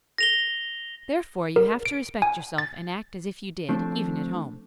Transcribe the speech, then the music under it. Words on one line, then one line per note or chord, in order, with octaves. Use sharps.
Therefore you have to respect yourself and act as if you did, even at home.
A#6 F7 G7
A#4
D7
G#5
A6
F3 A3 C4 D4